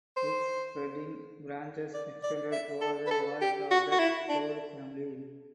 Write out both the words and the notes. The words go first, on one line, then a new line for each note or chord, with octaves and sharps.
Its spreading branches extended over the vault of that proud family.
C5
D5
D5
E5
A4
B4
A4
G4
F#4
F#4
E4
D4